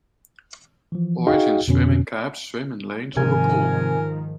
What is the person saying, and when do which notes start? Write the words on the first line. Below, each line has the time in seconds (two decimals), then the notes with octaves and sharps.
Boys in swimming caps swim in lanes of a pool.
0.92 E3 F3
1.27 D#4 F#4 G#4 D#5 F5 G5
1.68 F2 B2 D3 C#4
3.17 G#2 C3 D#3 F3 A#4 G#5